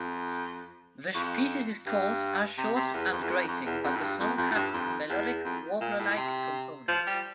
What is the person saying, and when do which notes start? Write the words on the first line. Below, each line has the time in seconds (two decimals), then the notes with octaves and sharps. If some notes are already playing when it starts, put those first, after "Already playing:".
The species' calls are short and grating, but the song has melodic warbler-like components.
Already playing: F2
1.15 F2
1.86 G2
2.58 C3
2.76 C3
2.94 E2
3.12 F2
3.22 E2
3.30 F2
3.48 F2
3.66 E2
3.84 F2
3.96 A2
4.01 G2
4.20 F2
4.38 F2
4.51 A2
4.55 G2
4.74 F2
5.10 E2
5.45 F2
5.81 A#2
5.99 A2
6.17 C3
6.88 F3
7.07 G3